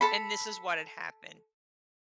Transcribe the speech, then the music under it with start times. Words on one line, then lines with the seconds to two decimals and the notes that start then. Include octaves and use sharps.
and this is what had happened,
0.01 A4 B5